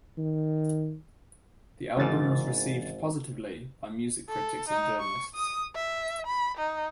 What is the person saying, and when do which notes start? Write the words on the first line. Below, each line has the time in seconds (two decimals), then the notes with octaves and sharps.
The album was received positively by music critics and journalists.
0.18 D#3
1.97 G#1 G#2 C#3 E3 A6
4.29 A4
4.69 D#4
4.99 C#6
5.35 D#6
5.75 E5
6.27 B5
6.58 D#4